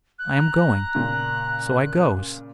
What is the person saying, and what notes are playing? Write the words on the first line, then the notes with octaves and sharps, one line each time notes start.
I am going.' So I goes.
F#6
A#5
A#2 C#3